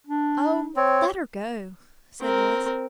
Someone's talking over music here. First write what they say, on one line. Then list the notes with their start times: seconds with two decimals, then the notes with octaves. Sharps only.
"Oh, let her go!" said Louis.
0.07 D4
0.76 C4 C#5
2.21 C4 A#4